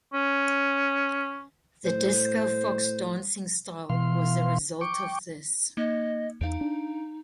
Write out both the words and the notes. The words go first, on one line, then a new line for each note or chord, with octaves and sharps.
The discofox dancing style was a result of this.
C#4
A2 C5
B2 E3 F5 C6
G5 C#6 D6
A#3 D#4 D#5
E2 D#4 F5 D7
D4